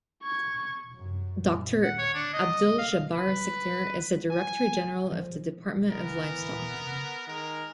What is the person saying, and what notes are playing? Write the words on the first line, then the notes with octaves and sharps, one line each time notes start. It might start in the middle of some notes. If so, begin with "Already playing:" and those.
Doctor Abdul Jabbar Sikder is the Director General of the Department of Livestock.
C#6 G#6
F#2
F#5
C#5
D4
D#5
F5
B4
G#5
F3
E3 B3 A#4
D#3 G#3 A#4